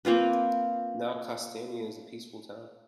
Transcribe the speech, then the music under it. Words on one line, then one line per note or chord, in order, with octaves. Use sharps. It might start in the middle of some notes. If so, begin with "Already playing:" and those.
Now Kastania is a peaceful town.
A#3 C4 F4 B4